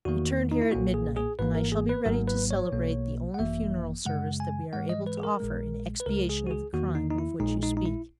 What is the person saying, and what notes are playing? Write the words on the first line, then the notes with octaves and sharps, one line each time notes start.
"Return here at midnight, and I shall be ready to celebrate the only funeral service that we are able to offer in expiation of the crime of which you speak."
E2 D#3 A#3 F#4
D#4
E4
B1 A#2 A#3 F#4
G#4
G#4
G#1 G#2 E3 A#3 B4
A#4
G#4
B4
G#1 G#2 F#3 A#3 A#4
B4
C#5
B1 B2 A#3
F#5
G#1 F#2 E3 A#3 E5
F#2 C#3 G#3 F#5
G#5
G#2 E3 G#3 F#5
D#5
B4
G#4
A#4
A#1 A#2 G#3
B4
C#2 C#3 G#3 A#4
G#4
F#4
G#4
E2 D#3 A#3 F#4
D#4
D#4
E4
A#1 A#2 G#3 D#4
D#4
D#4
E4